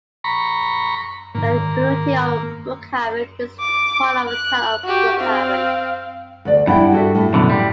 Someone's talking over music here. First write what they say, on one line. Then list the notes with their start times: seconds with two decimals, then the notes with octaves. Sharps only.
The community of Brookhaven is part of the Town of Brookhaven.
0.24 A#5 B5 C#6
1.35 G#2 D#3 A#3
3.59 D6
4.28 F#6
4.84 F#4 G4
5.20 C4 F5
6.45 D2 D5
6.67 G2 E4 F#5 G5
6.92 F#4 A4 E5
7.15 A2
7.33 F#2 B2 D3
7.50 G3